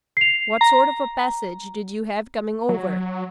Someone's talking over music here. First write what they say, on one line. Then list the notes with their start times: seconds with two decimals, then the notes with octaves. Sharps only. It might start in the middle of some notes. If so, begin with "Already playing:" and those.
What sort of a passage did you have coming over?'
0.17 C7 F7
0.61 A#5
2.69 F#3